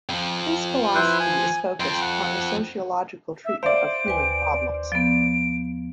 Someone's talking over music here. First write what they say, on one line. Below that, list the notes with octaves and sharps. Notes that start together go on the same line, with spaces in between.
His philosophy is focused upon the sociological treatment of human problems.
F2 F3
E4 B4 C5
G#5
F2 G5 C6
F#5
E5
C5 D5 E5 F5 D7
D#2 B4 G#5
F3 B3 D7